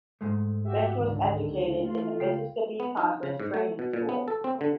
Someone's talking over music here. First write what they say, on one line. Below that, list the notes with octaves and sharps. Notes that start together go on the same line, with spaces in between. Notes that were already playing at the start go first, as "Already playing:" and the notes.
Finch was educated in the Mississippi Conference Training School.
G#2 G#3 A3
F#4 G4 E5
C#2 D3 D#3
A3 F4
C#2 F5 G5
B3
D#4
C#3
G#2
A3
B2
A#2
B3
A4
C4
D3